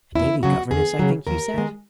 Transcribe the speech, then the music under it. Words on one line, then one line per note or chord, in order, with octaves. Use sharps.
"A daily governess, I think you said?"
E2 E4
C#3 F#3 F#4
E2 G#4
C#3 F#3
D#2 A#4
D#3 G#3